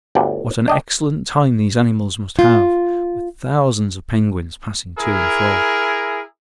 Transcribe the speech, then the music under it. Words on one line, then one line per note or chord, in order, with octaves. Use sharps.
What an excellent time these animals must have with thousands of penguins passing to and fro!
G1 D2 G2 D5 G5
D4 D#5 G5
F4
E4 G#4 A#4